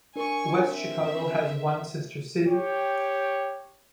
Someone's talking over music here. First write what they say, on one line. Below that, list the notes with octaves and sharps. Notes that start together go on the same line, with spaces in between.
West Chicago has one sister city.
D4 A#4 G#5 C#6
C4 E5
G4 C#5 G5